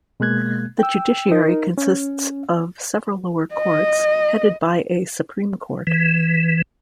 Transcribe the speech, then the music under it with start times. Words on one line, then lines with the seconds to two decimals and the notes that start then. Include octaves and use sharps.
The judiciary consists of several lower courts headed by a Supreme Court.
0.20 B2 G#3 A#3 F#6 G#6
0.79 G5 E6
1.32 D#4 A#4
1.78 C#4
3.54 D#5
5.87 E3